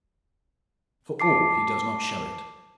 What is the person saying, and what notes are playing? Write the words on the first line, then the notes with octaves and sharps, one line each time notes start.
For all he does not show it.
A5 D6 C7